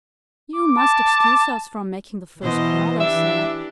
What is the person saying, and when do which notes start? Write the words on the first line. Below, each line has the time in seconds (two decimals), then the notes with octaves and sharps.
"You must excuse us from making the first call," they said.
0.53 D6
0.76 A5
2.42 B2 E3 C5 D#5
3.00 D4 E4 G4 E5